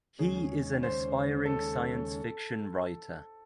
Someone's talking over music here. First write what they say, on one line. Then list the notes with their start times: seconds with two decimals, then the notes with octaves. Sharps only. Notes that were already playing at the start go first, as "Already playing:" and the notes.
He is an aspiring science fiction writer.
0.19 D#2 C#3 G#3 C#4 G#4
0.83 C5
1.45 A4